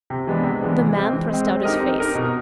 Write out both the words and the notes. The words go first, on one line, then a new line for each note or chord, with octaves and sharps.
The man thrust out his face.
C3
E3 G#3 B3 D4
C3
E3 G#3 B3 D4
E3
G#3 C4
E3
G#3 C4
C4
D#4 G4 A#4 D#5
C4
D#4 G4 A#4 D#5
B2